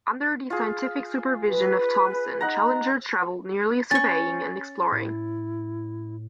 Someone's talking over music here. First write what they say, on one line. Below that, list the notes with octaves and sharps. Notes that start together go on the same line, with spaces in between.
Under the scientific supervision of Thomson, Challenger travelled nearly surveying and exploring.
F4 G#4
B4
D#4 F#5 A#5
C#4 C#6 A6
A2 E4